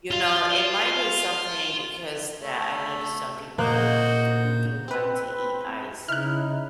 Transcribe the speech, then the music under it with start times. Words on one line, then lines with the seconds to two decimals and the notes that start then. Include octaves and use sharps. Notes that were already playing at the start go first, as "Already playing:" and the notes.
You know, it might be something because that I noticed some people who who do like to eat ice,
0.11 F4 F5
2.40 A3
3.58 A#2 A#3 D#4 F#4 C5 F#6 G6
4.88 C4 B4
6.08 C#3 D#4 E4 F6 F#6